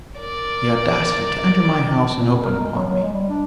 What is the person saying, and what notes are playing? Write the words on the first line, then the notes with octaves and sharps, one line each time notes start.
The audacity to enter my house, and open upon me!
A#4 D5
A#2
F2
A#4
G#3
F#3
F#3
G#3
G3
D4